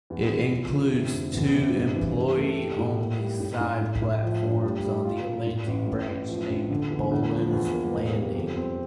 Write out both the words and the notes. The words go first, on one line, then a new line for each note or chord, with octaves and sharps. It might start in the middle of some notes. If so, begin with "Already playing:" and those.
It includes two employee-only side platforms on the Atlantic Branch named Boland's Landing.
E2
E3
F3
D3
C3
F1
E2
C3
G2
E3
G4
A3
G4
A2
A#3
G3
A2
A2
A2
A2
F3
G2
G3
G3
F4
A#2
A2
A1
A2
A1
F3
A#1
D3
E2
D2
F3
E2
A#3
E1
G3
F2
C4